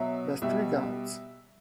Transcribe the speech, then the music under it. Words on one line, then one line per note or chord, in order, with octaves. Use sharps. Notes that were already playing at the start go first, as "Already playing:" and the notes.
Best regards.
Already playing: B2 F#3 E5
B2 G3 E5